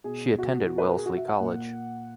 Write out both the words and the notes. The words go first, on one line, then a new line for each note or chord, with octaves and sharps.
She attended Wellesley College.
B2 G#4
F#4
B4
A#4
G#4
F#4
E5
F#5
A#2